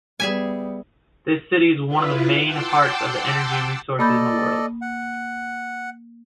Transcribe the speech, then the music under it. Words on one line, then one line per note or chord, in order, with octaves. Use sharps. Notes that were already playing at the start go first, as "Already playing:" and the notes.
This city is one of main hearts of energy resources in the world.
G3 B3 G#4 E5 G#5
E4 F4 B4
F#5 G5 A5 C6 D6 E6
A#3 A4 D5 D#5 B5 G6
F#5